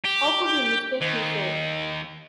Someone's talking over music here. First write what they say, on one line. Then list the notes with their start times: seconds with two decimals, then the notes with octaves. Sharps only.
How could you mistake me so?
0.05 G4
1.01 D#2